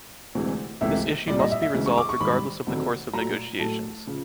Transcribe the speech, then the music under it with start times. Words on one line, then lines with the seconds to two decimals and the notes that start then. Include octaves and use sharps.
This issue must be resolved regardless of the course of negotiations.
0.35 D2 C3 E3 G#3
0.81 C#2 C3 E3 A3 E5
1.27 C2 A#2 G3 D5
1.40 D#5
1.51 E5
1.62 E5
1.74 D2 C#3 E3 G#3
1.86 C#6
1.98 D6
2.09 C#6
2.21 G#2 D#3 G3 B5
2.67 D2 C3 D#3 F#3 A3
3.13 A#2 F#3 A3 A#5
3.59 A2 F#3 A3 A5
4.07 C#3 F3